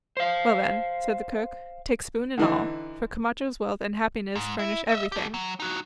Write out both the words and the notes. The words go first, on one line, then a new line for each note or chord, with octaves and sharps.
"Well then," said the cook, "take spoon and all; for Camacho's wealth and happiness furnish everything."
C5 F5
D3 E3 D#4
G#2
E4
D#5 E5
G4 A4
F#3
D#4 F#4